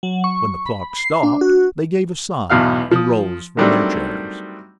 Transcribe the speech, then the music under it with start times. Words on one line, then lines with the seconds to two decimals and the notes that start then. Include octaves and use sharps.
When the clock stopped, they gave a sigh and rose from their chairs.
0.03 F#3
0.24 C#6
0.66 B5
0.97 C7
1.23 D4
1.41 F#4
2.50 B1 E2 B2 F5 F6
2.91 F3 D#6
3.57 D#3 F#3 G3 A3 C4 D4